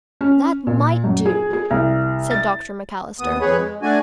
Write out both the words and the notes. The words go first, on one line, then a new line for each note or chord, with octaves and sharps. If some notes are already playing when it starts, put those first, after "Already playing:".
"That might do," said Dr. McAllister.
C#4
A#2
F#2
G#4
G#4
C2
A6
D#2 B3 D#6
F2 G#4 B4 C#5
G#3
A3 D4 F#4 G#5